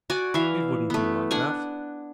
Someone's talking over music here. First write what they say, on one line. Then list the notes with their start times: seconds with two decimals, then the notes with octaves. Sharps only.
"It wouldn't be like that."
0.10 F#4 D5 G#5
0.34 E3 E5 F5
0.90 A3 B3
1.31 D4 F#5 G#5